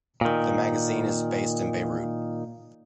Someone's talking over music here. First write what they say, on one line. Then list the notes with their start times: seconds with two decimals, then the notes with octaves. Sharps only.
The magazine is based in Beirut.
0.21 A#2 D#3